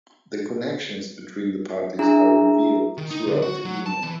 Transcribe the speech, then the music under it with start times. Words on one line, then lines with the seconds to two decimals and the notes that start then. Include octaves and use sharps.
The connections between the parties are revealed throughout the evening.
1.99 D4 E4 G#4 E5 A#5
2.98 D#3
3.11 D#4
3.27 D3
3.42 F#4
3.65 F#3
3.86 A5
4.04 E3